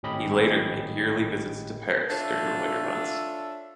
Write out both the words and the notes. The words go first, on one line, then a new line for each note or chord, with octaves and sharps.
He later made yearly visits to Paris during the winter months.
G#1 A2 C#4 G4 D#5 B5
D4 F4 A4 C#5 E5